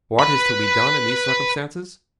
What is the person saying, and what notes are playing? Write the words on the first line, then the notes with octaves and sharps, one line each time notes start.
What is to be done in these circumstances?
B4 B5